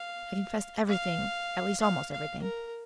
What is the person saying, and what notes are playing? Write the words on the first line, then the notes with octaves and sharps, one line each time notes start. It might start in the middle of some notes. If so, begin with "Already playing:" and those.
I confessed everything--at least, almost everything.
Already playing: F5
F5
F5
F5
A#4